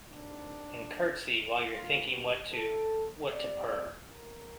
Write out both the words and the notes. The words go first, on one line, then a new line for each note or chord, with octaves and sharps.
And curtsey while you’re thinking what to—what to purr.
D2 C3 D#3 D4
G2 D#3 A#3 F4
G4
A4
A2 G3 C4 D5
A#4